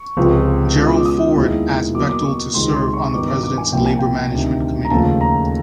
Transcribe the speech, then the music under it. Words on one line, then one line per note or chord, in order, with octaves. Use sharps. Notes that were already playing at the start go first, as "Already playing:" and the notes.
Gerald Ford asked Bechtel to serve on the President's Labor-Management Committee.
Already playing: C#6
C#2 C3 F3 G#3 C4
B2 G#3 C#4 F4
D#6
D6
D#6
D#2 D#3 G#3 B3 E4
B2 F#3 A#3 D6
D#6
D6
C#6
C#2 C3 D#3 G#3 C4 C6
C6
C#6
C#6
G2 D#3 G3 B3 D#4 D6
D6
D6
G#5
C2 A#2 F3 A#3 G5
G#5
G5
D2 C3 D#3
A#5
D#2 C#3 F3 A3 A5
A#5